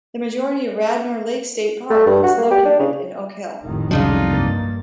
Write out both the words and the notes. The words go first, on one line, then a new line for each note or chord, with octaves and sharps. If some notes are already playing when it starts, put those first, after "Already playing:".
The majority of Radnor Lake State Park is located in Oak Hill.
A3
G2
F#4
A#3
G4
D4
C#3
F1 A2 D#3
C2 F2 C#3 F#3 D4 D#4 F4
G2 A#3 A6